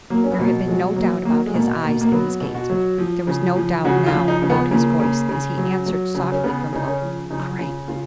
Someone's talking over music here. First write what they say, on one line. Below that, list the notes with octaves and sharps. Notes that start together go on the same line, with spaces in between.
There had been no doubt about his eyes and his gait; there was no doubt now about his voice, as he answered softly from below--"All right!"
F#3 A#3
C#4
B3
B2 A#3
F#3 G#3
F#3 A#3
F#3 A#3
G#3
B2 A#3
B2 A#3
A#3
F#3 B3
B2
F#4
F#3
F3
C#3
F3
C#3 F#4
F4
F3
D#4
C#3
B3
C#3 A#3
C#3
C#3
F#3
F#3
C#3
C#4
C#3 B3
C#3 D#4
C#4
F3
C#3 D#4
C#3 F4
C#3 F4